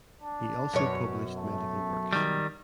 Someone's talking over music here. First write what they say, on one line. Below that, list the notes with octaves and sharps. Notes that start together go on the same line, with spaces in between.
He also published medical works.
D4
F#2 B2 C#5
A3
D#3 G3